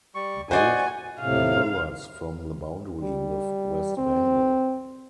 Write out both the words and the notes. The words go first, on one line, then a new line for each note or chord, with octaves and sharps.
Both the rivers form the boundary with West Bengal.
G3 C#6
F#4 C5 D5 D#5 G#5 C#6
A2 C3 F5
G3
C4